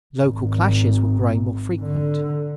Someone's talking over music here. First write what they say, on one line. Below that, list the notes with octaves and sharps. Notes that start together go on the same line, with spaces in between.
Local clashes were growing more frequent.
G#1
D3